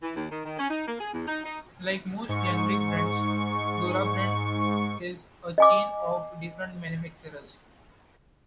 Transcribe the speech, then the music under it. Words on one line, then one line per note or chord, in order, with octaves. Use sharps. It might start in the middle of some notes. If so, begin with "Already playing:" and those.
Like most generic brands, Durabrand is a chain of different manufacturers.
E3
D#2
D#3
D#3
C#4
D#4
A#3
G#4
E2
D#4
D#4
G#2 C#6
D#5 G#5 D6